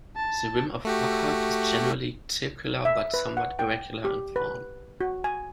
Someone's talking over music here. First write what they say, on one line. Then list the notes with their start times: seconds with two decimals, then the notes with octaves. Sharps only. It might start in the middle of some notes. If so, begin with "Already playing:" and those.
The rim of Burckhardt is generally circular but somewhat irregular in form.
0.16 A5
0.85 A3 F#4 G4
2.85 E5
3.14 B4
3.37 F#5
3.59 G5
4.05 G4
4.36 B4
5.01 F#4
5.24 G#5